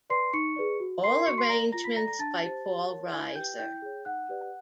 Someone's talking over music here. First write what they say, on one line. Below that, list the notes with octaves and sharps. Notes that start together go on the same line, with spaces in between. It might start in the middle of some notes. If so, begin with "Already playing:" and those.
All arrangements by Paul Riser.
B4 D5 C6 C7
D#4 C#6 C#7
G#4 B4 D5
F#4
A#4 D5 C6 C7
F#4 C#6 C#7
C6 C7
A#4 D5 A#5 A#6
F4 A#5 A#6
B5 B6
A4 D5 A#5 A#6
A#5 A#6
D4 A5 A6
G4 C5
G4
A#4 C#5
E4 G#5 G#6
G4 B4 G5 G6
E4 G5 G6
G#4 C#5
D#4 F#5 F#6
G4 B4 D5